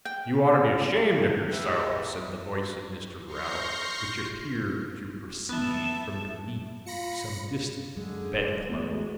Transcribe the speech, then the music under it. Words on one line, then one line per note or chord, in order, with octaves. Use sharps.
'You ought to be ashamed of yourselves,' said the voice of Mr. Raddle, which appeared to proceed from beneath some distant bed-clothes.
G5
G4 G#4 B4 E5 F#5 G5
C6 C#6 F6 G6 A#6 C7
B3 E5 A5
F4 B5 A#6 C#7
F#2 D3 G#3 G#4
E2 G#3 A3 B3 F#4